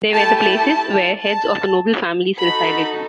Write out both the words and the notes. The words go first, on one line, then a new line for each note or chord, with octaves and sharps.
They were the places where heads of a noble families resided.
A3 E4 G4 A5
A5
A5
D#4 F#4 A4 B5